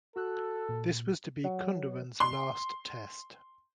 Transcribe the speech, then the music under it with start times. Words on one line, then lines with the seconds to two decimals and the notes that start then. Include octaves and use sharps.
This was to be Kunderan's last Test.
0.16 F#4 A4 E6 F#6
0.69 A#2
1.44 F#3
2.20 C6